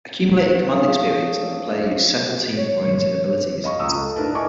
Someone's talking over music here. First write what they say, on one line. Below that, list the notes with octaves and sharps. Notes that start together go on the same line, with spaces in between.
Accumulated Command Experience let the player use several team-oriented abilities.
D4 G#4 C#5 F5 D#6
C#5
D#5 F5 B5 C#6
C#2 F5 D#6 E6
A4
D4 E4 A#4 B4 A5
D5 D#5 G#5 C#6 D6